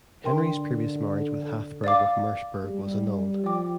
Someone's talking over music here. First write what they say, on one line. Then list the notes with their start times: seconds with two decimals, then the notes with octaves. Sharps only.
Henry's previous marriage with Hatheburg of Merseburg was annulled.
0.24 D3 A#4 G5 C6
1.84 D5 F5 D6
2.64 G3
3.44 F3 D5 G5 D6